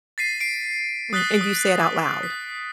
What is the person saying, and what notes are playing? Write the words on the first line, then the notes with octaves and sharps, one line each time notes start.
M and you say it out loud.
A6 B6 C7 D#7
C7 D7
D#6 F#6 A6 B6 G7
D#6
B6